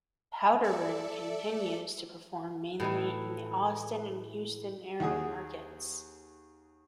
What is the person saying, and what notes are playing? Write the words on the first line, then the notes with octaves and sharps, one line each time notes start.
Powderburn continues to perform mainly in the Austin and Houston area markets.
A4 D5 E5 C#7
A2 E3 D#4 E4
D#2 F#4 G#4 D#6